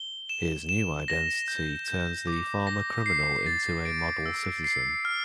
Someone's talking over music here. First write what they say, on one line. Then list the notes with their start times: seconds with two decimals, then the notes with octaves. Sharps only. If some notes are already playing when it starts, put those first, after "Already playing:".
His new identity turns the former criminal into a model citizen.
Already playing: G7
0.29 E7
0.69 E7
1.08 A#6
1.48 G6
1.88 G6
2.27 D6
2.67 A#6
3.06 C7
3.46 A6
3.85 D7
4.26 E6
4.64 C7
5.05 F6